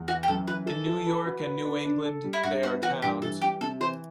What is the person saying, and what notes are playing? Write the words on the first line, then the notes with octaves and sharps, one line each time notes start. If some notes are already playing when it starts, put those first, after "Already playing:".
In New York and New England, they are towns.
Already playing: E2
E3 F#4
G4
F#2 A4
E3 B4
E3 A4
E3
B4
F#4
B4
D4
D4
A4
G3
E4
G2 F#4
B3 F#4
E3 F#4
G2 G4
E3 A4
G3 G4
C3 A4
E3 C5